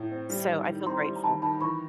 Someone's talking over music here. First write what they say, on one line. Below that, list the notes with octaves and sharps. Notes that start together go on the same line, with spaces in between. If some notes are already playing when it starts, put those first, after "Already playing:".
So, I feel grateful.
Already playing: A2
C4
G3
D#3
D#3
C4 A#5 C6
G3
A#5
D#3 A5 B5
D#3 A5 B5
E3 B5 C#6